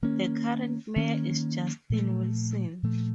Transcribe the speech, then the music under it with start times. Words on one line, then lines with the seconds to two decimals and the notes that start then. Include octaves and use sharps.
The current mayor is Justin Wilson.
0.02 D#3 A#3 C#4
0.96 D#3 A#3 C#4
1.90 A#2 F3 A3
2.83 A#2 F3 A3